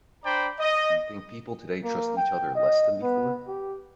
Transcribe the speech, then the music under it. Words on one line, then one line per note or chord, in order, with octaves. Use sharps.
Do you think people today trust each other less than before?
D4 C5 D5 G5 A#5 B5
D#5
A#3
G5
D#5
B3
G4